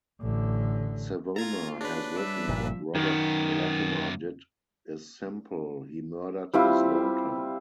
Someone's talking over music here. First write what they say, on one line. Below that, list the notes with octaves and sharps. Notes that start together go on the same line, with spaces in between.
Savona has written, What Robert Latimer did is simple: He murdered his daughter.
A1 D3
A#3 F4 A4 A#5 G#6 A#6
D4 F#4 G#4 B4 C#5
G3 E5
G1 A#2 F3
F#2 D#3 B3
G3 C4 E4 F4